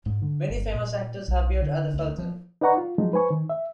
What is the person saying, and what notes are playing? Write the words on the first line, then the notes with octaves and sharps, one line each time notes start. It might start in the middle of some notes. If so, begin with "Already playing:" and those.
Many famous actors have appeared at the Fulton.
G#2
D3
G1
A#2
B1
D3
D2
F3
D#4 B4 D5 F#5 A#5 C#6
F4
F3 F#3 G#3 D#4
B4 C5 G#5 C#6
D#3
E5